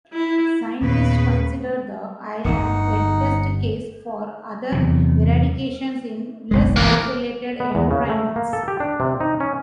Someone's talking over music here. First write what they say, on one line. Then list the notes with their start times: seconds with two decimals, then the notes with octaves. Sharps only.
Scientists considered the island a test case for other eradications in less isolated environments.
0.13 E4
0.82 D#2 A#2 C#3 B3 B4
2.44 D1 G1 D#4 F#5
4.72 E2 C3 F#3
6.51 F#1 B1 G#3
6.76 E3 A#3
7.60 B3
7.75 E2
7.91 C#3
8.09 A3
8.36 A#3
8.53 A4
8.68 G4
8.80 D4
9.00 C3
9.21 D#4
9.40 C#4